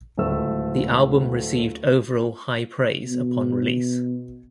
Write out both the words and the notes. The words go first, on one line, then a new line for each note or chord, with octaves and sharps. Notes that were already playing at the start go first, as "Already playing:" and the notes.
The album received overall high praise upon release.
D1 C#2 A3 E6
B2